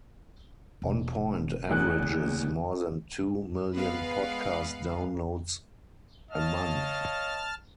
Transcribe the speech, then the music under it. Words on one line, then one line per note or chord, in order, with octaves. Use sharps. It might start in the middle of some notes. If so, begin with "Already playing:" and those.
"On Point" averages more than two million podcast downloads a month.
E1
A1 E2 F#6
C#3 A#3
G#3 B3 B4 F5
C#5 D#5 F5 A5 F6